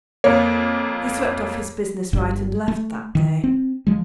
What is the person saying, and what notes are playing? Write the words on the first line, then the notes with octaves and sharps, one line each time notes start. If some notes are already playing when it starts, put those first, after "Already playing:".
He swept off his business right and left that day.
F2 A#3 C#5
G1 G2
A3
D#3
C4
F3 G#3